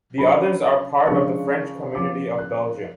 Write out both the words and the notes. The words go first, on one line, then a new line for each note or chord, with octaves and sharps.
The others are part of the French community of Belgium.
D3 F#3 C#4 F4 B5
C#3 F3 G#3 D4 F4 C#6
C#3 F3 B3 D6
F#6